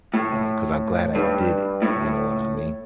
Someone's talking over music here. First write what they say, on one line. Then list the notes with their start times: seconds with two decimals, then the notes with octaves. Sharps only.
um, 'cause I'm glad I did it, you know what I mean?
0.14 A2
1.15 G2
1.82 A2